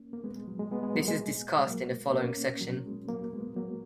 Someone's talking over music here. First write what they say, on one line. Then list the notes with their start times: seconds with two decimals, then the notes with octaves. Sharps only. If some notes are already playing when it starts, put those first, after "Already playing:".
This is discussed in the following section.
Already playing: A#3 C#4
0.13 A#3
0.24 G#3 B3
0.36 G#3
0.48 F#3
0.59 G#3
0.72 G#3 B3
0.83 G#3 B3
0.95 F#3 A#3
1.08 G#3
1.58 G#3
1.67 F#3 A#3
2.13 A#3 C#4
2.61 F#3
2.86 G#3
3.08 F#3 A#3
3.33 G#3 B3
3.56 F#3 A#3